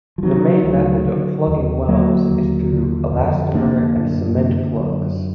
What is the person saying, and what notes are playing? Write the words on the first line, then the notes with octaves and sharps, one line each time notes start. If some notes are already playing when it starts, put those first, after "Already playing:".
The main method of plugging wells is through elastomer and cement plugs.
F3
D3 D#3 F#3
D2
D3
D#2
D3 F#3 A#3
D#2
D3
F2
D3 A#3 D4
F#2
D3
F#2